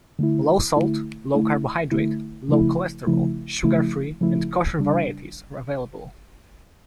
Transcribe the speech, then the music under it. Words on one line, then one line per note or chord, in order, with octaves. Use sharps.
Low-salt, low-carbohydrate, low-cholesterol, sugar-free, and kosher varieties are available.
D3 A3 E4
D3 A3 E4
D3 A3 E4
D3 A3 E4
C#3 F3 A3 E4
C#3 F3 A3 E4
C#3 F3 A3 E4
C#3 F3 A3 E4
C#3 G3 D4